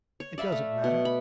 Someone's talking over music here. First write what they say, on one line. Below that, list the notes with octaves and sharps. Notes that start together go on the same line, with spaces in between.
'It doesn't matter.
C#5
D5 E5 F5 B5
A3
B2
B5